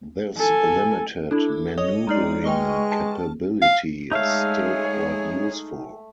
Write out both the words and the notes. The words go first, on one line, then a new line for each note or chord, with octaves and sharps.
This limited maneuvering capability is still quite useful.
A4 G#5
D4 E4 A4
C#5 D#5 D#6
G#3 D#4 D5 A#5 F6 C7
G#3 G#4 B4 D#5 G5 C#6 F6
A5
F5
G#3 A3 D#4 G#4 C#5 E5 F5